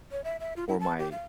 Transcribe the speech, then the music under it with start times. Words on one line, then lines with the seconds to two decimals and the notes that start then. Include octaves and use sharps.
or my
0.12 C#5
0.24 E5
0.40 E5
0.56 F4
0.68 E4
0.80 A5
0.99 G4
1.12 F5